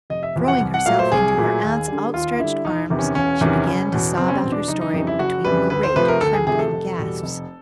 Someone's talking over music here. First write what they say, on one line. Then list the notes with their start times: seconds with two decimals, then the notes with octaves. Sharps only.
Throwing herself into her aunt's outstretched arms, she began to sob out her story between great, trembling gasps.
0.10 F1 D#5
0.23 E5
0.35 E2 C3 F3
0.48 F#5
0.60 C2
0.74 F#5
0.86 A#2 F#3 A3 F5
0.99 C5
1.12 C2 G#4
1.37 A#2 F#3 A3
1.63 D#2
1.88 D3 G3
2.14 D#2 F4
2.39 D3 G3 E4
2.64 E1 D#4
2.90 E2 C3 D#3
2.99 C#4
3.15 E1 C#4
3.41 E2 C3 D#3
3.66 F#1
3.92 E2 B2
4.17 F#1 C4
4.28 C#4
4.34 C4
4.43 E2 B2
4.52 D4
4.68 F#1 D#4
4.81 D#4
4.93 F2 C#3 E3 G3 D#4
5.07 E4
5.19 F#1 F#4
5.44 F2 C#3 E3 G3 B4
5.70 D2 B4
5.83 C5
5.96 C3 F3 A3 B4
6.08 A#4
6.21 D2 A4
6.33 G#4
6.47 C3 F3 A3 G#4
6.59 A4
6.72 F1
6.98 E2 B2 G3
7.23 F1